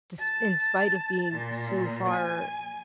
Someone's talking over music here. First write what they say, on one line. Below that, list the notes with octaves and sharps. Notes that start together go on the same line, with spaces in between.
desp in spite of being so far
A5
A#2
G#5